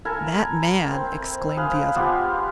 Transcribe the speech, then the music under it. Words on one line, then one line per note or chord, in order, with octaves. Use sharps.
"That man," exclaimed the other.
E4 A4 A#4 G#5
C4 C5
G#4 B4 C5 F5
G#3 B3 F4 G4